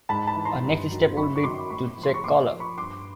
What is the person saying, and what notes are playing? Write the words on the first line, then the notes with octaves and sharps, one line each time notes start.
A next step would be to check color.
G#2 A5 B5
A5 B5
E3
A#5 C6
G2
D#3 F#3
F#2 B5 C#6
C#6
D#3 F#3 C6 D6
A2 B5 C#6
F3
C6
C#6
A#2 C6 D6
F3
B5 C#6
G2 C6 D6